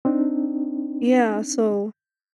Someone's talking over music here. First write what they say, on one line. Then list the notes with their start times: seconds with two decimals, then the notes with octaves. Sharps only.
Yeah, so
0.05 C4 D4 D#4